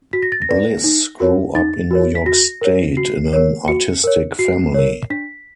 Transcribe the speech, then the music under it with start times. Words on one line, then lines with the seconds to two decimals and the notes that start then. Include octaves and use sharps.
Bliss grew up in New York State in an artistic family.
0.13 F#4 B6
0.23 A#6
0.32 A6
0.42 A#6
0.49 B4 D5
0.84 D#4
1.20 F#4 A#4 C#5
1.55 D#4 A6
1.91 F#4 A#4 C#5
2.15 B6
2.26 F#4 A#6
2.61 A#4 C#5
2.97 F#4 C7
3.33 A#4 C#5
3.68 F#4 C#7
4.04 A#4 C#5
4.39 F#4 C7
4.74 A#4 C#5
5.10 D4 B6